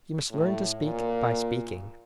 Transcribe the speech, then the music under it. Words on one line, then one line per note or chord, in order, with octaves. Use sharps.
You must learn to speak by speaking.
A2
A#2